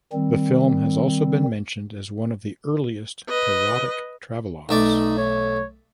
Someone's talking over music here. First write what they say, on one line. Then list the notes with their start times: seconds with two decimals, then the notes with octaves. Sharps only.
The film has also been mentioned as one of the earliest parodic travelogues.
0.13 D#3 G3 C4
3.29 B4 D#5
4.69 B1 A3 D#4 D5
5.17 C#5